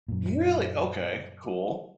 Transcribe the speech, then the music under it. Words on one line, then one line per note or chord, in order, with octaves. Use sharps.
Really? Okay, cool.
F#2 A#2